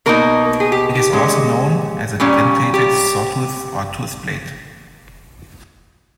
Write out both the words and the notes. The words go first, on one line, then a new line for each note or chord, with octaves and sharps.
It is also known as a dentated, sawtooth, or toothed blade.
B2 A#3 D#4 A#4
G#4
G4
G4
A#2 G#3 C#4
A#2 G3 A#3 C#4 G4
G4